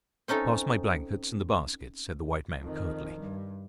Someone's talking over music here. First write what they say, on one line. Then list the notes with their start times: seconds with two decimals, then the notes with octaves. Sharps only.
"Pass my blankets and the basket," said the white man, curtly.
0.28 C4 C#4 D#4 A4
2.60 F2 D#3
3.20 G2